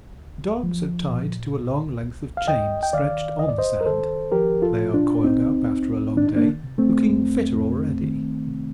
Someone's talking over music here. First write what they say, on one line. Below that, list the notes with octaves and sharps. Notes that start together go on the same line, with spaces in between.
The dogs are tied to a long length of chain stretched on the sand; they are coiled up after a long day, looking fitter already.
D2
F3
A#2
C2
C2
F5
D#2 D#5 G5
G5
D#3 D5 F5
D#2 D#5
D5
C5 D#5
A#4
D#3 A4 C5
F3 G4 A#4
F4 A4
A#2
D4 F4
C2 C4 D#4
C2
D#3 D4
D#4
A#3 D4
C3
A3 C4
F2
F2
D#3
C3